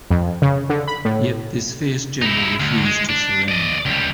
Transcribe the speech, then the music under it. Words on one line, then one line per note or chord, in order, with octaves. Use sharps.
Yet this fierce general refused to surrender.
F2
C#3
D3
B5
A2
D#4 E4
D2
G#3
D4
D5 D#5
C#2 G3